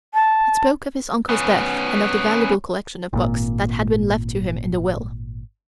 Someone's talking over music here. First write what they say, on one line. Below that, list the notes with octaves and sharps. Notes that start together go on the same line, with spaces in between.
It spoke of his uncle's death and of the valuable collection of books that had been left to him in the will.
A5
B3 C#4
G#1 A#2